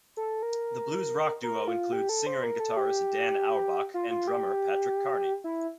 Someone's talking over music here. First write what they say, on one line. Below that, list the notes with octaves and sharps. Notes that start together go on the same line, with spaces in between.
The blues-rock duo includes singer and guitarist, Dan Auerbach, and drummer, Patrick Carney.
A4
A#4
A#4
F4
G4
A4
C5
A#4
A4
G4
F4
F4
G4
E4